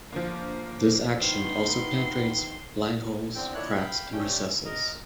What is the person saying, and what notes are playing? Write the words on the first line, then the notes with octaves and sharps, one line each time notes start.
This action also penetrates blind holes, cracks, and recesses.
D3 F3 A#3
D#3 B3 C6
E2 D3 C4 G5
A#2 D#3 D4 E4 C#5 F#6
F5 G5 B5
G3 A3 C#4 G5
A#4 D#5 A#5